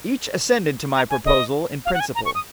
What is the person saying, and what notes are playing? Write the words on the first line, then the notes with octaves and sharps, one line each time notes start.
Each assented to my proposal in principle.
A#5
G#5
D#5
F5
F#5
G#5
A#5
C#6
D#6